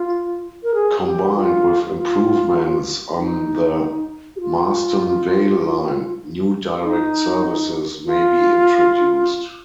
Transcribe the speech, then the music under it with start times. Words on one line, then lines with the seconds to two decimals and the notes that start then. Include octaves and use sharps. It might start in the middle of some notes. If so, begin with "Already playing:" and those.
Combined with improvements on the Marston Vale line, new direct services may be introduced.
Already playing: F4
0.63 A#4
0.74 G#4
1.05 G4
1.36 F4
1.97 F4
3.18 D#4
4.36 G4
4.40 F4
6.85 D#4
8.06 F4